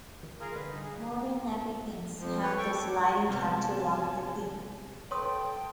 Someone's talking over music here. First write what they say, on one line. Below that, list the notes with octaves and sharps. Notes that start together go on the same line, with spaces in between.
Modern nappy pins have the sliding cap to lock the pin.
D#3
F4 G#4 A#4
D3 G3 B4
D#4
G#4
F2 F3
B4 C#5
A4 G5 C#6
D6
C3 G3 B3 G#5 A5
A4 B4 C#5 G5 C6 D#6